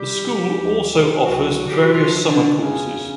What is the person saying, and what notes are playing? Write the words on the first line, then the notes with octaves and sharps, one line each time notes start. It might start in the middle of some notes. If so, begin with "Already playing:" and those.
The school also offers various summer courses.
Already playing: C3 G3 G4
F3
D2
C3
C2 F#3 F#4
B2
G4
F#4
B2 F3 F4
B2 D3 D4
E2 C#3 C#4
C#3